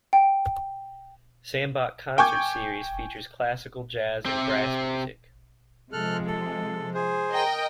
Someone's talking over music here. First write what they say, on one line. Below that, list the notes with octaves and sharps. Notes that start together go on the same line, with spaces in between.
Sandbach Concert Series features classical, jazz and brass music.
G5
G5 G#5 C#6 D6 G6 G#6
C3 C4
C3 F3 G#3 A4 F6 F#6
A4
G#4 C5
A#4 D#5 G5